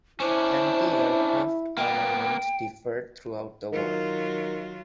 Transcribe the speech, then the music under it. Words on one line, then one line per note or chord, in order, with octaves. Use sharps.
Anti-aircraft armament differed throughout the war.
C#4 D4 E4 C5
A#3 B3 G5
D#3 F#3 F4